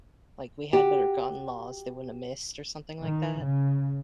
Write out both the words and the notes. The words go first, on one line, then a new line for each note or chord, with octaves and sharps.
like, we had better gun laws, they wouldn't have missed," or something like that,
F#4 G4
D#3
C#3